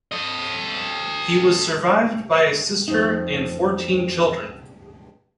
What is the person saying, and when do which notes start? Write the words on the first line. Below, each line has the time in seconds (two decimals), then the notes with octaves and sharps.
He was survived by a sister and fourteen children.
0.12 A4 D#5
2.88 F2 D#4